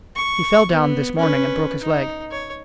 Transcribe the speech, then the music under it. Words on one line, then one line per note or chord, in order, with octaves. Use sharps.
He fell down this morning and broke his leg.
C#6
B3
C#4 B4
D#4
C#5